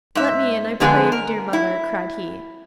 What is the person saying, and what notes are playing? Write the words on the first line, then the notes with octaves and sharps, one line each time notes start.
'Let me in, I pray you, dear mother,' cried he.
G#2 E5
F2 D3 G#3 B3 G#4
A#4
E4